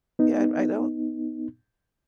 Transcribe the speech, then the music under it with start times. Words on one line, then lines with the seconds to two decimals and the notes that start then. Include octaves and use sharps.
yeah, r I don't
0.19 B3 D#4